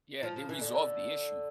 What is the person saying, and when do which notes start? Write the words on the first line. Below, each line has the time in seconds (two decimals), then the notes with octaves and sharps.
Yeah, they resolved the issue.
0.23 F3
0.36 F3
0.49 E3
0.61 D3